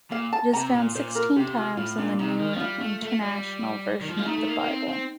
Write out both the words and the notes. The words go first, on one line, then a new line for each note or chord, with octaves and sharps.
It is found sixteen times in the New International Version of the Bible.
A#2 F5
A5
C3 A#5
A#2
A#2 C5
A#4
C3 G4
F4
A2 F4
A#2 D4
C3 D#4
D#3
F3
G3 F4
A3
A3
G3
D#3
F3
G3 F4
A3 D#4
A3
A#3
A#3
C4
C4